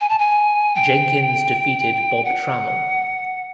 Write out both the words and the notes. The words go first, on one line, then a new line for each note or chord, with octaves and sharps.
Jenkins defeated Bob Trammell.
G#5
A5
G#5
G5
F#5